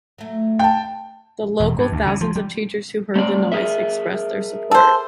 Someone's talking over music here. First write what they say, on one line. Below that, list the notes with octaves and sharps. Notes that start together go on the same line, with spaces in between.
The local thousands of teachers who heard the noise expressed their support.
F#3 A3
G5 A5
E1
G2
D2
C#3
F3
G3
A3 C4 D5
G#4 A#4 E5
A4 C5